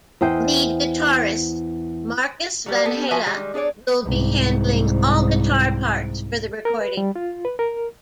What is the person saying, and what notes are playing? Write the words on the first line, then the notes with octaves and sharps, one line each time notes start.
Lead Guitarist Markus Vanhala will be handling all guitar parts for the recording.
E2 C5 D#5 G5
F#3 G3
B3 G4 A4
F3 F#4 E5 G#5 A5
D#3 G3 G#3
D4 G#4 C#5 D5
C2 G#2
A#4
B4
G3
F4
B4
A#4